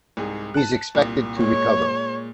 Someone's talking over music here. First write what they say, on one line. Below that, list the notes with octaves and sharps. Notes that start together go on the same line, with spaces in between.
He's expected to recover.
C2 G#2 G#4
A5 F#6
C2 A#2
A#2 G#3 C#5